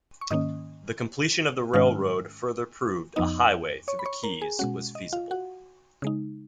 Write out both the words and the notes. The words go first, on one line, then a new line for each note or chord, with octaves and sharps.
The completion of the railroad further proved a highway through the keys was feasible.
C#6
G#2 D#3 A#3 C#4 D#5 D#6
G#2 D#3 G#3 C#4 F5 F6
F2 F3 B3 D#4 D#5 D#6
C#5 C#6
B5
C#5 C#6
A#4 A#5
G#4 G#5
B2 G#3 C#4 F#4 F#5
D#5
F4 F5
F#4 F#5
C#3 G#3 D#4